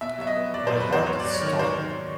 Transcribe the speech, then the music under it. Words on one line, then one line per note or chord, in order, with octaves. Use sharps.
My heart stuck.
B2 E5
F#3 E5
D#5
B3
F#3 D5
C5
F#3
B4
E2 C5
G#2 C#5
D5
F#3
C#5
D#3
C#5
D#3 C5
D#3